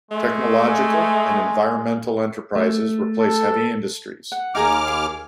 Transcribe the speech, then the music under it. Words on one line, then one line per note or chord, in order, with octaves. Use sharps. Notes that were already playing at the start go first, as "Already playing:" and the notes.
Technological and environmental enterprises replace heavy industries.
G#3 A3
A3
A4
F#5
D#2 D#4 G#4 A#5 D6 F6
G#4